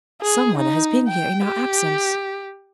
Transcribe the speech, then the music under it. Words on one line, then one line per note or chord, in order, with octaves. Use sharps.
"Some one has been here in our absence."
G#4
D#4
G5
G4